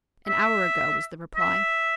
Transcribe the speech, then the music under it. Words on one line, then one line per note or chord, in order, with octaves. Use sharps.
"An hour ago," was the reply.
E5
E5